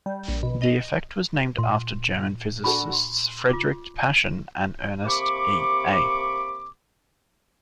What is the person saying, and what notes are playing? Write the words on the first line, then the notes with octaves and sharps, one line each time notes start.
The effect was named after the German physicists Friedrich Paschen and Ernst E. A.
G3
A#1
B2
D#5
A#2 C6
D4 F#4 A4 G#5 B5 C#6
C6
F4 D6
C3 A#3 B5 C#6 D6